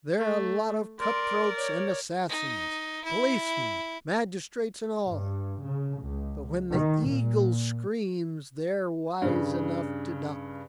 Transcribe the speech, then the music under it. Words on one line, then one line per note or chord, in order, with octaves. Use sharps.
"They're a lot of cutthroats and assassins--policemen, magistrates and all--but when the eagle screams they're wise enough to duck."
A3
A#4 D5 C6
C#5
D#4
E4
G2
C#3
C#2
D#3
A#2
G2 C#3